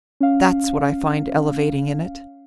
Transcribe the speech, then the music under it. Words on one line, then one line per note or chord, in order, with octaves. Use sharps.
That's what I find elevating in it.
C#4 F5